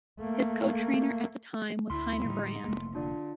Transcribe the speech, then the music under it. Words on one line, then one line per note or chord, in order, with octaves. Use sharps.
His co-trainer at the time was Heiner Brand.
A3 A#3
D2 D3 E4 C6
A2 D3 F3 G3 D#4
F1 A3 A#3
D3 D4 F4 D5